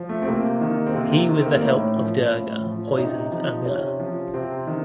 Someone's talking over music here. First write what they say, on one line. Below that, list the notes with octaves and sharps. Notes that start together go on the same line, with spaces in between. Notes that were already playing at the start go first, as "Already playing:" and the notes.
He with the help of Durga poisons Urmila.
Already playing: F3
A3
C4
C3 A#3
D#3
C4
C3 A#3
C4
D#3
C4
A#3
A2 C#4
F3
A2
F3
C#4
C3 D#4
F3
C3 C#4
F3
C3 C4
D#3